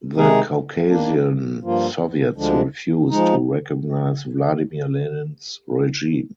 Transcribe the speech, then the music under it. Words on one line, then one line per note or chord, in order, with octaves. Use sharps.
The Caucasian soviets refused to recognize Vladimir Lenin's regime.
C3 D#3 G#3 D#4 G#4
D#3 A#3 D4
G2 F3 A#3 F4
D2 D3 F3 G#3 D4
F3 G#3 D#4